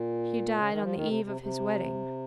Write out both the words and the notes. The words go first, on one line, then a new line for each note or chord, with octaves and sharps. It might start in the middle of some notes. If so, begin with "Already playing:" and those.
He died on the eve of his wedding.
Already playing: A#2
C#3
D#3
F3
D#3
C3
C3
C3